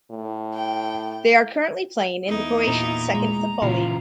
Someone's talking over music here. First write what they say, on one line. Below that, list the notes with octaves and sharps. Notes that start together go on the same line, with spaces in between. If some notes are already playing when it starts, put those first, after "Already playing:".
They are currently playing in the Croatian Second Football League.
A2
G5
E2 D#4 E4
A#2 A#5
G#3
A#2 C#3 E3 F4